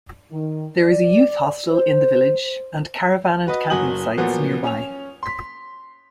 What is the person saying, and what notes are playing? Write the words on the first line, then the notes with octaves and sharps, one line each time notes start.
There is a youth hostel in the village and caravan and camping sites nearby.
D#3
D5
C5
F#4 B4 D#5
F#1 F#3 F#4 G#5 D#6 F#7
A#2 F3 F#3 B3 F#4
C#4 C#5 F7
C6 B6